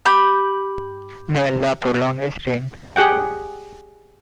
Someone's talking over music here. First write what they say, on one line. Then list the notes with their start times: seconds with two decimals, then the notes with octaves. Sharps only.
May Allah prolong his reign.
0.06 G4 B5 G6
2.96 G4 G#4 F#5 G5